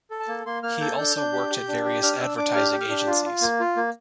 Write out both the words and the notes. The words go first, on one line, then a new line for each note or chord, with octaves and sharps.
He also worked at various advertising agencies.
A4
A5
A#3
A#3 C6
A#3 F6
A4 G6
D4 G6
D4
G4
G4
D4
G4
D4 F6
F6
D4 E6
D4 D6
G4 F6
G4
F6
D4
F4
F4
A#3
F4
A#3